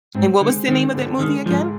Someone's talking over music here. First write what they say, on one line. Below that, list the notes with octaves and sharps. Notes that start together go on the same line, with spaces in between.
And what was the name of that movie again?
G#2 C4
D3 G#3
D#3 C4
D3
D#3 G#3
G#2 F3